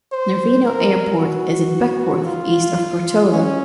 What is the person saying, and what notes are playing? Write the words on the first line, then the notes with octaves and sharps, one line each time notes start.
Nervino Airport is in Beckwourth, east of Portola.
C5
A#4
F#4
F4
C#4